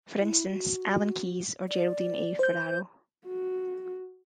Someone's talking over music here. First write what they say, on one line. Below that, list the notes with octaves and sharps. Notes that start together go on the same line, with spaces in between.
For instance, Alan Keyes or Geraldine A. Ferraro.
E4
F#4
D5
C5 G6
F#4